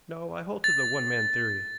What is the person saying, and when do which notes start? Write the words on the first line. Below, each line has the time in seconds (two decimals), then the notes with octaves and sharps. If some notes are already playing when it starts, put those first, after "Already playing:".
"No, I hold to the one man theory."
0.64 A6